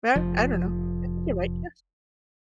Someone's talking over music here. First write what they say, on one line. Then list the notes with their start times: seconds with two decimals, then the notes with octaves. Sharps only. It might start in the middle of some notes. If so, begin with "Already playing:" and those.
They're I don't know. I think you're right, yes.
0.16 F1 F3